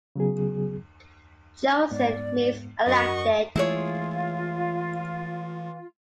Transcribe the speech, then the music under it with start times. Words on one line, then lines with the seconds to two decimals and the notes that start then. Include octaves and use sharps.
"Chosen" means elected.
0.16 C#3 F#3 B3 G#4
1.91 G#2 G#3 B3 D5
2.86 F#2 F#4 A#4 D#5 C#6
3.56 E3 G#3 A3 E4 F4 G#4 C#5